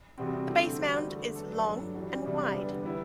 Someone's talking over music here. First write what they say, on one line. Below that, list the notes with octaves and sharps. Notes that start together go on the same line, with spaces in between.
The base mound is long and wide.
E2 C3 G3 C4 F#4
D3 A3 C4 E4
G3 D4 F#4 C5
E2 D3 A3
F#3 B3 D4 A4
G2 F#3 A3 D4
E3 G3 D4 F#4
E2 C3 G3 D4
D3 G3 B3
G3 B3 E4